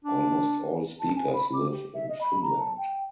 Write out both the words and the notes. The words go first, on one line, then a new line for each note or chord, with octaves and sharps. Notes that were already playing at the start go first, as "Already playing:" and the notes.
Almost all speakers live in Finland.
D4
A5
G#5
B5
D6
G4
E5
D#5
B5
A#5
A5
G5